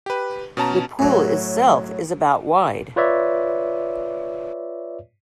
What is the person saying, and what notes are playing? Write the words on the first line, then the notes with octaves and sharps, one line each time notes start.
The pool itself is about wide.
G4 B4
B2 C#4 A5 A#5
A2 F#3
F4 B4 C#5 D5 E5